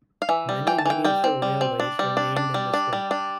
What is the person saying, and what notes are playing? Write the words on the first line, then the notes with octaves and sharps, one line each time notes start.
Many miniature railways are named in this way.
F5
E3 E5
G3
E3 G5
A5
E3 G5
G3 G5
C4
G3
C4
D4
G3
D4
D4
G3
D4
G3
D4